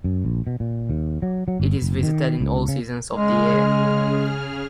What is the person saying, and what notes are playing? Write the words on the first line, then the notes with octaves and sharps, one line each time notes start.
It is visited in all seasons of the year.
F#2
A#1
B2
A#2
D#2
F#3
F#3
G1
F#1
D#3
C#2
C#3
C#3 G#3 G#4 F6